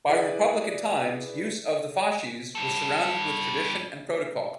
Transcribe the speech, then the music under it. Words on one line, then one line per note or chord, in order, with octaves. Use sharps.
By republican times, use of the fasces was surrounded with tradition and protocol.
E4 G#4 B4 D5 E5
G3 A4